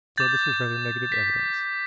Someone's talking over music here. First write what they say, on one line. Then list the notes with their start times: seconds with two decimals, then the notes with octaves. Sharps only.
Still this was rather negative evidence.
0.18 D6 G6 A6
1.12 B6